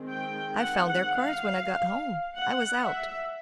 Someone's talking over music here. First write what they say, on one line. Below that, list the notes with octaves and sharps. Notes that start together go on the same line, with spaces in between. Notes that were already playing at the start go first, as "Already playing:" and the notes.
"I found their cards when I got home; I was out."
Already playing: D#3 G#3 C4
G5
F#5
F#5
F5
F#5
E5